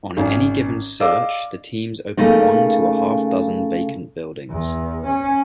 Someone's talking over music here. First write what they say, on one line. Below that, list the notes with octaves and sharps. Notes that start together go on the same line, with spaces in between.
On any given search the teams open one to a half-dozen vacant buildings.
G#1 C#4
D5 D#5 F5 D6 E6
C#3 A3 A#3 D#4
E2
C#4